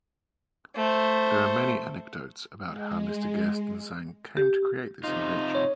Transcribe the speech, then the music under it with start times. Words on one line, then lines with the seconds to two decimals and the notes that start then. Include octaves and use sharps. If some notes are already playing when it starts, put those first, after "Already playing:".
There are many anecdotes about how Mr. Gerstenzang came to create this invention.
0.76 A3 C5
2.63 G#3
4.37 G4
5.04 C3 D#4 F4
5.55 C#5